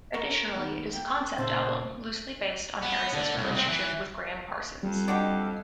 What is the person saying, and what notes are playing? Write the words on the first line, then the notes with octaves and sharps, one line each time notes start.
Additionally, it is a concept album, loosely based on Harris's relationship with Gram Parsons.
A#4 C#6
D#3 B3
A#3 G5
A#2 C#3 C5 E5 A5
B3
D3
C2
C4
E3
F2 G3
D4 F#4 G4 D#5